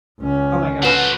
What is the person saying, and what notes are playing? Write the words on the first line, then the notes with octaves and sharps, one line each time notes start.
Oh my gosh.
C#2 C#4
A3 F#4 B4 C5